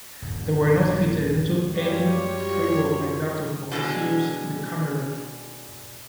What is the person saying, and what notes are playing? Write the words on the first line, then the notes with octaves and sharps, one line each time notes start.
They were not fitted into any framework like that of Boccaccio's "Decameron".
D#1 G2
F#2 G3 F4 G4 C#5
B2 D3 G3 G#3